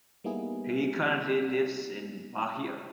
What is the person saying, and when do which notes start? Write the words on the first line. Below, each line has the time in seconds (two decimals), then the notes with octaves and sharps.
He currently lives in Bahia.
0.24 G3 A#3 B3 D#4 E4 G#4